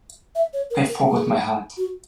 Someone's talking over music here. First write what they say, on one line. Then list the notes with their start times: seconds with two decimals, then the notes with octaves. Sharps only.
I forgot my hat.
0.35 E5
0.53 C#5
0.70 A#4
0.88 A#4
1.07 G#4
1.77 F#4